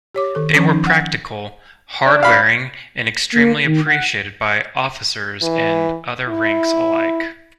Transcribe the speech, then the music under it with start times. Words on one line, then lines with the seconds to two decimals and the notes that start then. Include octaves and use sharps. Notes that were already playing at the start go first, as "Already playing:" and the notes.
They were practical, hardwearing and extremely appreciated by officers and other ranks alike.
0.14 G4 C#5 D6
0.35 D#3 A4
0.55 D#3 F3 C#4
0.71 D#4
0.87 F#5
2.06 D4
2.23 F5 B5
3.32 A#3
3.64 D#3
3.87 F#5
5.42 E3
6.28 E4